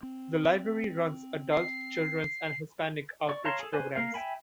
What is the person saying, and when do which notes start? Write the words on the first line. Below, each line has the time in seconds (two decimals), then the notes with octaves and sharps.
The library runs Adult, Children's, and Hispanic Outreach programs.
0.03 C4
1.52 C7
3.29 D5 C#6
3.45 C#5 F5 A5 A#5 C6
3.59 G#4 A4
3.73 B4 C5 G#5
3.96 A#3 A#4 F5
4.14 E5 G5 G#5 B5